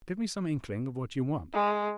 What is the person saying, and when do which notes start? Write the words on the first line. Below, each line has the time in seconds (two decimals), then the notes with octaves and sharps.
Give me some inkling of what you want.
1.54 G#3